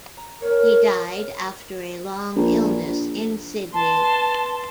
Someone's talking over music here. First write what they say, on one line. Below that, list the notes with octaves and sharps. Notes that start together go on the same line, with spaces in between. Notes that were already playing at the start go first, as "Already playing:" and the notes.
He died after a long illness in Sydney.
A#5
C#4 A#4 C#5
A#1
B4 A5 C6